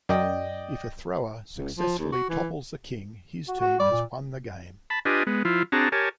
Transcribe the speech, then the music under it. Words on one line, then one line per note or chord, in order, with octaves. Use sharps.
If a thrower successfully topples the king, his team has won the game.
F#2 D5 D#5 G5
C#2
F3
D#2
F#4
E3
F#4
F#4
G3 D5
A#2
A5 B5
D4 F4 G4 B4 D#5 G#5
G#3 B3
F3 E4 F4
C4 D4 F#4 G#4 A5 A#5
G4 A#4 C#5 G#5 A5